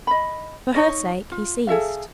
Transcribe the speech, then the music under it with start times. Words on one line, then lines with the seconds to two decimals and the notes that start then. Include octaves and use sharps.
For her sake he ceased.
0.07 D#5 B5
0.75 D#4 C#5 D#5
1.32 F4
1.67 G#4 A4 E5 F5